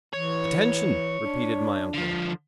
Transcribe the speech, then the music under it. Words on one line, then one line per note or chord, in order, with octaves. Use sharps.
"Attention!" repeated my uncle.
E3 C#5
D4
D3 F3